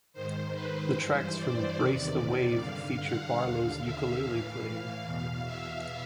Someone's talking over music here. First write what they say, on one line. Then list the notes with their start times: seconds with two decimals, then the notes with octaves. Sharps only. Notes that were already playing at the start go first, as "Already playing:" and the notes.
The tracks from "Brace the Wave" feature Barlow's ukulele playing.
0.13 G#2 D#3 C5
0.54 B4
0.95 G2 E3 C5
1.36 D5
1.77 E2 C3 D#3 D5
2.58 G2 D3 F5
2.99 F#5
3.40 D#2 D3 F5
3.81 E5
4.22 A2 E3 F5
5.04 E2 B2 F5
5.45 E5